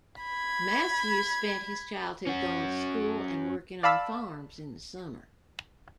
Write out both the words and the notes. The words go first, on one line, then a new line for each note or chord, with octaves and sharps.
Matthew spent his childhood going to school and working on farms in the summer.
B5 G#6
C#4 F#4
D5 F5 A5 B5 E6